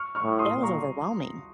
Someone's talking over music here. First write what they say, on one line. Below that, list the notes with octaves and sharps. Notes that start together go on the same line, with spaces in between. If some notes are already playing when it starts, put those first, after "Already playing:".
that was overwhelming.
Already playing: C#6 F6
C#6 F6
A2
C6 D#6
A#2
A#5 C#6